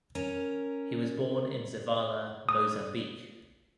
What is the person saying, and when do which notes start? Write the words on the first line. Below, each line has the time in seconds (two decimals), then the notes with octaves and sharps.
He was born in Zavala, Mozambique.
0.15 C#4 A#4
2.49 D#6